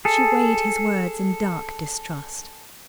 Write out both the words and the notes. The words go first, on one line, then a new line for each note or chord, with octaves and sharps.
She weighed his words in dark distrust.
G#4 A4